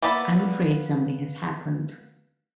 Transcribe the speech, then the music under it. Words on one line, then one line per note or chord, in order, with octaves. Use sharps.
I'm afraid something has happened.
A#3 B3 D5 E5 B5